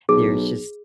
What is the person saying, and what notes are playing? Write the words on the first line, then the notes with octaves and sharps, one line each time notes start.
There's just
B1 G#4